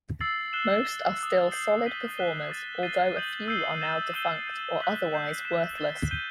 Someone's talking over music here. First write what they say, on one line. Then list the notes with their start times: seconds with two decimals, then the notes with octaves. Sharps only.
Most are still solid performers, although a few are now defunct or otherwise worthless.
0.21 E6 A6 C7 F#7
0.53 F#6 C7 E7 G7
0.86 A6 E7 G7
1.19 D#6 F#6 C7
1.51 G6 C7 F#7
1.84 E6 B6 D#7 G7
2.18 F#6 B6 E7 G7
2.50 D#6 A6 C7 E7
2.83 A6 C7 D#7 G7
3.16 D#6 G6 D#7 F#7
3.48 E6 G6 C7 D#7 G7
3.81 A6 E7 G7
4.14 E6 G6 D#7 G7
4.47 G6 C7 D#7
4.80 F#6 B6 F#7
5.12 G6 C7 E7
5.45 G6 B6 E7
5.78 A6 E7 G7
6.11 G6 D#7 G7